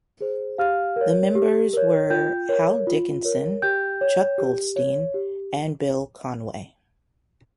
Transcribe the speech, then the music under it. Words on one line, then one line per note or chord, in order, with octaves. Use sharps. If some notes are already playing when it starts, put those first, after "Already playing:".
The members were Hal Dickinson, Chuck Goldstein, and Bill Conway.
G#4 C5
G4 F5 F6
A#4 C#5
G4
A#4 C#5
F4 G5 G6
A#4 C#5
F4
A#4 C#5
G4 G5 G6
C#5
G4
C#5
G4